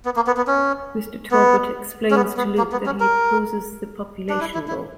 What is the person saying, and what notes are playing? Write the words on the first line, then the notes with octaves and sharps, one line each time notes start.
Mr. Talbot explains to Luke that he opposes the Population Law.
B3
A#3
B3
B3
C#4
B3
C#4
B3
B3
A#3
B3
C#4
A#4
D4
E4
E4
E4